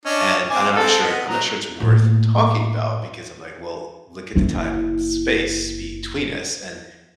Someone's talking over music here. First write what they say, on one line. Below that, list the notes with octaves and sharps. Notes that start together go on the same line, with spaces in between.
and I'm not sure I'm not sure it's worth talking about because I'm, like, "Well, look at the time and space between us, and,
C#4 D4 D#5
C4 G#5 D6
C4 A4
B3 D#5
F#3 A#5
A2 A#3
F#1 E4